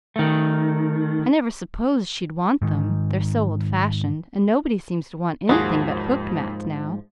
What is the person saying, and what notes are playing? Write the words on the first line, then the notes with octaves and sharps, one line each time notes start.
I never supposed she'd want them--they're so old-fashioned, and nobody seems to want anything but hooked mats now.
D#3 A3
G#2 D#3
D#2 G#2 F3 F#4 G#4